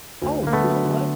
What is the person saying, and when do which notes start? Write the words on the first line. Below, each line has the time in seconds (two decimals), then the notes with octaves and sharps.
Oh, you know what?
0.22 D2
0.42 D3 A#3
0.53 A3 B3
0.63 F#3
0.85 D3